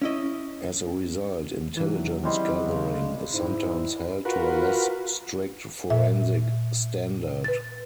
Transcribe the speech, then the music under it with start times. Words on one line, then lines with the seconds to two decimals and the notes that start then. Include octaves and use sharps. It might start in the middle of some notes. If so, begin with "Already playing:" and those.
As a result, intelligence gathering is sometimes held to a less strict forensic standard.
0.02 C#4 E4 D#5
1.77 C3 E3 F#3 D4
2.24 D#3 G3 G#3 C4 C#4 E4 D5
2.61 C#3
3.33 G#2 E4
4.25 F4 F#4 A#4 B4
5.90 A#2 E5
7.44 B4 A6